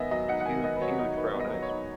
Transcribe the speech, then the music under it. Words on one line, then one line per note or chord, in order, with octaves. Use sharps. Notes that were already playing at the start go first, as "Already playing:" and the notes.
Hu huge brown eyes.
Already playing: D#3 B3 D#5 E5 G#5
F#3 D#5
D#4 F#5
F#5
D#3 G#5
B3 D#5
B4
F#3 C#5
D#4
D#3 B4
B3
D#5
F#3
C#5
D#4